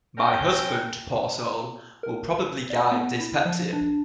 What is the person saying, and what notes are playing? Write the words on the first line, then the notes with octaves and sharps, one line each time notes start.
My husband, poor soul, will probably die of dyspepsia.
C4 C#4 A#4 G5
A#4
D5
B3
E4
F3
D4